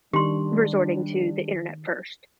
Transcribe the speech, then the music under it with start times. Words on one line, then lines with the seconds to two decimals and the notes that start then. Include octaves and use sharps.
resorting to the internet first?"
0.14 D#3 G3 D4 G4 C6